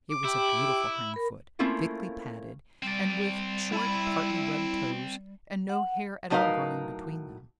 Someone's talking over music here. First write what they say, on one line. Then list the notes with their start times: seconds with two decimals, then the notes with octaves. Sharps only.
It was a beautiful hindfoot, thickly padded, and with short partly webbed toes, and no hair at all growing between them.
0.11 D6
0.24 E4 G4 G5
1.14 A#4 B5
1.59 A3 A#3 C4 C#4 E4 F4
2.83 G3 C4 D5
3.73 E4 B5
5.69 F#5
6.30 A2 F#3 D#4 A#4 B4 F5